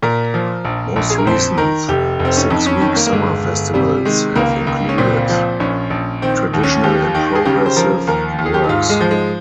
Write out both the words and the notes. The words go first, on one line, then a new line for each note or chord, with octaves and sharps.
Most recent six-week summer festivals have included traditional and progressive works.
A#2 A#4
F3
A#1
A#1
G#4
A#4
F2 C5
D#3 A#4
F1 G4
F1
C4
C#4
F2 D#4
C#4
D#3 C#4
A#3
A#3
G1 G#3
G1
C3 G3
D#3 G#3
C#2 A#3
C#2
C#4
A#2 C4
F3
A#1 C#4
A#1
D#3 C4
D#2
C#4
D#2 G4
D#3
G#4
C#3 G4
C5
F3 A#4
D#2 A#4
D#2
G#4
G4
D#4
G#2 F4
G#3
F3
G#3